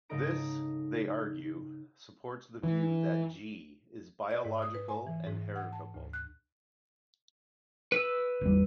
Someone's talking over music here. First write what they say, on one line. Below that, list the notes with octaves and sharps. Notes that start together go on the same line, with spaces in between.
This, they argue, supports the view that "g" is biological and heritable.
G#2 C#3 D#4 A4 A#5 D7
E3
D5
G#2
D#6
B4
G#5
E3
G#2
F#5
A5
D2
F#6
B4 E6
G#1 E2 G3